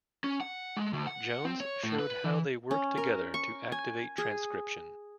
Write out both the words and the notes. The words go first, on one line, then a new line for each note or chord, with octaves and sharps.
Jones showed how they work together to activate transcription.
C#4
F#5
G#3
D2
F#5
C4
C#5
A2
B4
E3
C#4
A#4
C#6
G#5
G#4